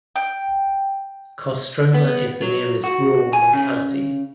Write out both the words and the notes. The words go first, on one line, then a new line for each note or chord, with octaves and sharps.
Kostroma is the nearest rural locality.
G5
B3
F#3
F#4
G#5
C#3